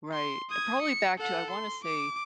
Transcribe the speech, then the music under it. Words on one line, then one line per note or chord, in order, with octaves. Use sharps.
Right, probably back to I wanna say,
C6
D#6 G#6
C#7
A4 F#5
C6
D6